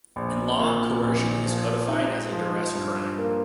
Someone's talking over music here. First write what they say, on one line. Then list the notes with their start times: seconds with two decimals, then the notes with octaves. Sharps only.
In law, coercion is codified as a duress crime.
0.16 A#1
0.60 A#2
1.03 A#1
1.46 F3
1.88 D#4
2.32 F3
2.75 G2
3.18 A#3